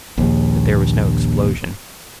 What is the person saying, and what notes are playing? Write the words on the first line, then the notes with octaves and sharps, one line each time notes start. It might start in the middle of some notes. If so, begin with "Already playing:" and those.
But there was no explosion.
A#1 D#2